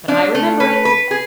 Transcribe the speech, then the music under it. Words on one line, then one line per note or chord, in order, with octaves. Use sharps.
But I remember it.
D4
A3
B4
B4
G#4